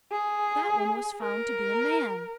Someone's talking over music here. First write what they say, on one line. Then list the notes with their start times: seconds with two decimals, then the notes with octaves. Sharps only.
That one was found to be a man!
0.12 G#4
1.21 A#4